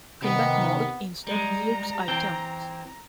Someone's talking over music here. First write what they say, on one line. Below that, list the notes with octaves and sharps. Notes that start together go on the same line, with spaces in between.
Combat Mode instead yields items.
C3 D#3 B3
G3 G#3 A#5
E3 C4 G5